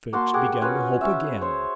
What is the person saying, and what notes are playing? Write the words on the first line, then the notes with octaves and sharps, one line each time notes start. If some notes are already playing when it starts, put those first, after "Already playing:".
Fix began to hope again.
A#3 F#4 A5 C6
G4 G#4 A#4 F#5
C#4 F4 F#4 B4
C#4 E5
C5 C#5